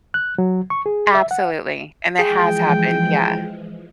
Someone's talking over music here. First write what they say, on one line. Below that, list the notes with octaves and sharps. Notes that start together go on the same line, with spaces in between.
Absolutely, and it has happened, yeah.
F#6
F#3
C#6
G#4
E5
F#5
E3 F3 G#3 G#4 G5